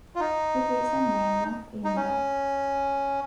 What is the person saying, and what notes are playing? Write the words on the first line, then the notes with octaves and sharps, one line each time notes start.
It is a name of Indra.
F4
D#4
D#4
C#4